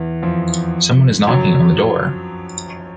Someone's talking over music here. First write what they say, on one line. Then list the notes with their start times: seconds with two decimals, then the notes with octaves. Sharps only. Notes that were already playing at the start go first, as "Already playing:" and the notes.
Someone is knocking on the door.
Already playing: E2 E3
0.22 F2 F3
1.27 F#2 F#3